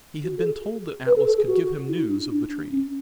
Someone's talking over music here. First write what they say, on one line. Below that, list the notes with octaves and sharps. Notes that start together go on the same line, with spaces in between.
He had been told that Atlas could give him news of the tree.
F#4
A4
G#4
B4
A4
A4
G#4
F#4
E4
D4
D4
C#4